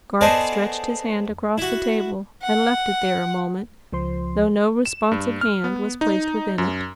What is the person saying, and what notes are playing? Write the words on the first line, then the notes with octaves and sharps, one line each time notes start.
Garth stretched his hand across the table, and left it there a moment; though no responsive hand was placed within it.
B3 G#4 A4 C5 D5 D#5
E4 F#4
F#5
C#2 F3 C5 C6
E7
G2
F6
B3
D#4
F#2